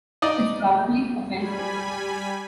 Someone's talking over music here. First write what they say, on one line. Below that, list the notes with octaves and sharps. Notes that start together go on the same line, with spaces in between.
It's probably offensive.
D#4 D5 D#5
G3 G#5 B5